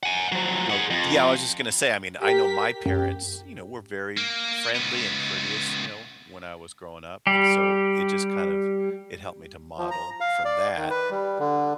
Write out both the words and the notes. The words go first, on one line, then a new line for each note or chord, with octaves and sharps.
No yeah, I was just gonna say, I mean, I know my parents, you know, we're very friendly and courteous, you know, when I was growing up, and so it just kind of it helped me to model from that,
F#5 G#5
F3 F#3
G#4 F#5
F2
G4 A#4 B6
F#2 G4
A#3
C#2 B3
G3 G4
F3
A#5
F5
D5
D#3
B4
G3
D3